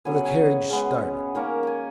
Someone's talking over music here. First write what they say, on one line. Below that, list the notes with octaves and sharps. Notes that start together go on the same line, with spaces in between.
The carriage started.
C#3 F#3 B3 G#5
F#5
G#5
C#3 G#3 B3
D#3 A#3 C#4 A#5
G#5 A#5